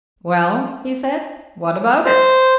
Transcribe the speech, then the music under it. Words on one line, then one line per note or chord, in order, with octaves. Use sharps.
"Well," he said, "what about it?"
C5